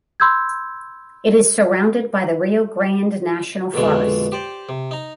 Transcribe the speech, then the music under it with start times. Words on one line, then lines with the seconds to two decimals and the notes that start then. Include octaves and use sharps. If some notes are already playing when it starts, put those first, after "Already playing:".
It is surrounded by the Rio Grande National Forest.
0.20 B5 C6 E6 G6 G#6
3.74 A#1 F2 B2 D3 G#3
4.32 G4 C5 D5
4.69 C3
4.91 D#4 A#5